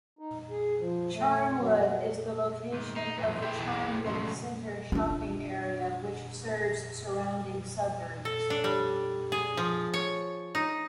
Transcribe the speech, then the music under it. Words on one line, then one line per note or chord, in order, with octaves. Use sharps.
Charnwood is the location of the Charnwood centre shopping area which serves surrounding suburbs.
D#4
G#4
F3
A3
F#3
G#2 D#3
D#4 C7
F2 A2 B4
E4 G#4 E5 G5 C6 G6
B1 E2
F2 G#2 C#3 F#3 A3 C6
D4 F4
A4
D4
G3
G#4
F3
C#5
D#4